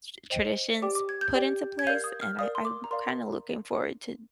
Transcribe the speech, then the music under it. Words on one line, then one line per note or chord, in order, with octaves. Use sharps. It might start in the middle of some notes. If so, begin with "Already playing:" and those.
s traditions put into place, and I I'm kinda looking forward to
C5 D#5 G5
G4 D5 G5 D6
D6
G#6
G6
G4 D5 G5
G#6
A#4 D5 F5 G6
D#6
F6
A#4 D5 F5 D#6
C6
D6
A#5
A#4 D5 F5 C6